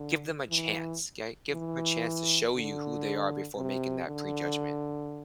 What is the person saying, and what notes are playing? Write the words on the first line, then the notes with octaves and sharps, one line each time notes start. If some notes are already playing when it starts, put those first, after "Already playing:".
give them a chance, 'kay? Give them a chance to show you who they are before making that prejudgment.
Already playing: D3
E3
E3
D3
C3
D3